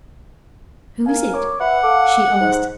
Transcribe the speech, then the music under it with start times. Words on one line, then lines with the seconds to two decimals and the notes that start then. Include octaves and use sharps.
"Who is it?" she asked.
1.06 A#4 F5 G#5
1.34 C#5 D6
1.60 B4 E5 F#5
1.83 A4 F5 D6
2.40 G#2